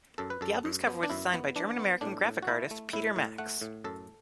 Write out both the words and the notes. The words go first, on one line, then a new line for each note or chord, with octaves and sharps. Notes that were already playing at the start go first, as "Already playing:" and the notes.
The album's cover was designed by German-American graphic artist Peter Max.
F#2 A4
B4
F#2 A4
F#2
B3
D4
F#2 E4
B3
E3 D4
B3
A2 D4
A2
F#4
A3 E4
A3
A2 E4
A2
A3 F#5
A2
F#2 A4